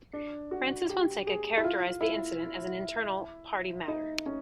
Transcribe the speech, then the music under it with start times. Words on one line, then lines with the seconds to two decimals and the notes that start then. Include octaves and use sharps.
Francis Fonseca characterized the incident as an internal party matter.
0.13 D4
0.51 F#4
0.89 G4
1.27 G#4
1.57 E4
1.64 F4
2.01 E4
3.88 D#4
4.26 C#4